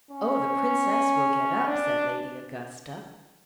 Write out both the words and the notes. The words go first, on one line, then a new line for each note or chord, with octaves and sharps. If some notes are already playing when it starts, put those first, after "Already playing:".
Oh the Princess will get up!' said Lady Augusta.
C#4
D4